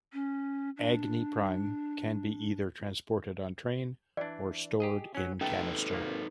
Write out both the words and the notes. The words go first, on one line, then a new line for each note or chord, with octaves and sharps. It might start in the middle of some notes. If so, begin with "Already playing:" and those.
Agni Prime can be either transported on train or stored in canister.
C#4
D4
E3 D4 D5
G4 G#4 D#5
F#3 C#4
A3 C#4 D#4 A4 B4
G#1 C3 A#3